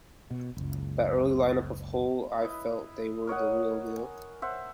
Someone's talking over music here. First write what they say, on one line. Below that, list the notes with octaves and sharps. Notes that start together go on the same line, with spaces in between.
That early lineup of Hole-I felt they were the real deal.
B2
F#1 C#2
E4 B4 D#5
A#4 C#5 D#5 F#5
G#5
C5 E5 F#5